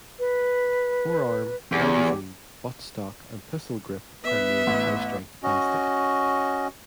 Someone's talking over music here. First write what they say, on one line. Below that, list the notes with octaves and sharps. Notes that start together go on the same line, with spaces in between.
Forearm, magazine, butt stock and pistol grip are made of high strength plastic.
B4
E2 G4
B3 B4 E5
A1
C#4 F#4 D#5